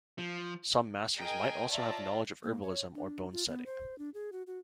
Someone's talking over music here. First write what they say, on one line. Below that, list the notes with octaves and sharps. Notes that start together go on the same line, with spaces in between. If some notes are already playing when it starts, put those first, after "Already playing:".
Some masters might also have knowledge of herbalism or bone-setting.
F3
G#4 A#4 D#5 G5 G#5
F4 C#5 D5 E5 A5 A#5
A#3
C#5
D4
F4
B3
C5
D4
G#4
F#4
F#4